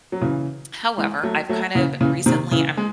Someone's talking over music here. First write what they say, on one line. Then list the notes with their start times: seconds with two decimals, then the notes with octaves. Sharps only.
however, I've, kind of, recently I'm
0.12 F#3
0.21 C#3 E3
0.98 E3 G#3
1.23 F#3 A3
1.49 F#3 A3
1.75 C#3 E3
2.01 C#3 E3
2.26 C3 D#3
2.51 C#3 E3
2.77 G#3